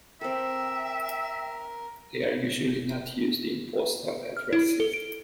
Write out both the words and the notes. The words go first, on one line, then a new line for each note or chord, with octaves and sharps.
They are usually not used in postal addresses.
C4 A4 A#4 E5 G5
F6
E4
A4
D7